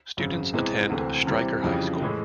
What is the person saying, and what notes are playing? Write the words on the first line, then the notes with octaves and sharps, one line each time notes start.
Students attend Stryker High School.
G#1 F#2 C#3
E2 C3 E3 G#3 C4
D2 C3 E3 A3 C4
C3 E3 G3 C4 E4
F2 C#3 E3 G3
A2 E3 G#3